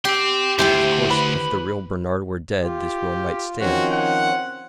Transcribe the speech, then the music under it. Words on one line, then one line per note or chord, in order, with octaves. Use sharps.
Of course, if the real Bernard were dead this will might stand.
G4 G5 C6
D2 G#2 E4 G4 C5 G5
B4 B5
F4 G4
D#3 F3 C4 C#4 F#4
F#5